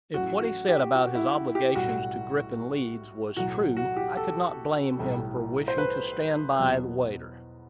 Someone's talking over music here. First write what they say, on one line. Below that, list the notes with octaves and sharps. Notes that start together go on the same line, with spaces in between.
If what he said about his obligations to Griffin Leeds was true, I could not blame him for wishing to stand by the waiter.
A1 A2 F#3 F#4
F#4
G4
F#4
E4
G4
B1 A2 G3 F#4
B1 A2 F#3 F#4
F#4
G4
A4
B1 A2 E3 G3
C5
B4
E2 B2 F#3